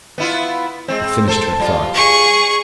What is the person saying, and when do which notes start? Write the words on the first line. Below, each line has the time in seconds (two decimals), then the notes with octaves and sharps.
He finished her thought.
0.18 B3 E4 F4
0.88 G#3 C4
1.28 A4 C5
1.60 G3 F4
1.94 G#4 C#6